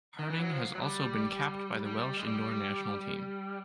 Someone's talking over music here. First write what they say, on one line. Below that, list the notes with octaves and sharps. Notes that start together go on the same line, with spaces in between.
Harding has also been capped by the Welsh indoor national team.
D#3
E3
F#3
F3
F#3
G3
G3
G#3
G3